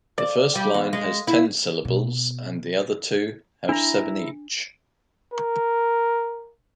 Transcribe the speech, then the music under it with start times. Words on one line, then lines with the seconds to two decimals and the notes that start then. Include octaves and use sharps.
The first line has ten syllables and the other two have seven each.
0.18 D5
0.55 G3
0.74 E2
0.93 G#3
1.27 E4
1.85 B2
3.69 D4 E4 A#5
5.33 A#4